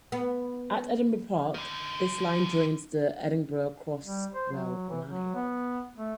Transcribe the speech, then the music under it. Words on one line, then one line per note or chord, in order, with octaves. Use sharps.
At Edinburgh Park this line joins the Edinburgh Crossrail line.
B3
D3 D#3
G3
C5
F#3
E3
F#3
B3
A3